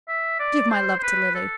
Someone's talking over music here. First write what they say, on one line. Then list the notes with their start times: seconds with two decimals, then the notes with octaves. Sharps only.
Give my love to Lily.
0.08 E5
0.40 D5
0.71 C5
0.99 C5
1.03 B4
1.35 A4